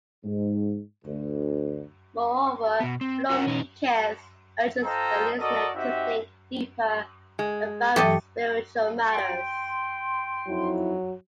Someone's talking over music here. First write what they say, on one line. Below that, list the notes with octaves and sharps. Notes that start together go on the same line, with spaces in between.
Moreover, "Blow Me a Kiss" urges the listener to think deeper about spiritual matters.
G#2
D2
B2 B3
C4
F4 F#4 A#4 C5 D#5 F#5
B2 E3 D#4
F4 A4 C5 D#5 G5 A#5
F#4 A4 A#4 D5 D#5
C4 D#4 F#4 G4 E5
G#3
G2 E3 F#3 A3 G4 A4 D#5
G5 C6
F2 F#3 D#4 E4